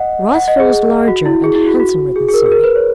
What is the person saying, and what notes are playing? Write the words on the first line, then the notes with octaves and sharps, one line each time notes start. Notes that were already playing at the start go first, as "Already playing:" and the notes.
Rosville was larger and handsomer than Surrey.
Already playing: D#5 F#5
F#5
D#5
G#4
F#4
E4
G#4
E4
F#4
F#4
G#4
G#4
A#4
G#4
A#4
B4
C#5